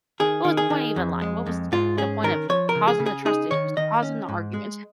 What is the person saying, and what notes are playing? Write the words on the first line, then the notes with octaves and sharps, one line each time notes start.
What was the point of even lying? What was the point of causing the trust issues, causing the argument?"
D#3 G#4
D#3
G#4
D#3
F2
G#3
F2
G#2 F4
C#4 G#4
D#3 A#4
F3 C#5
A#4
C#3
G#4
C#3
G#4
D#4 G#4
D#3 C#5
D#3 D#5
C#4
G#2
G#3